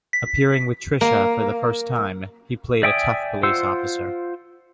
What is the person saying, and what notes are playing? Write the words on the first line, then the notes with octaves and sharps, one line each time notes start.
Appearing with Trisha for the first time, he played a tough police officer.
B6
A#3
D5 E5 G5 G#5 D#6
F4 C5 F#5 E6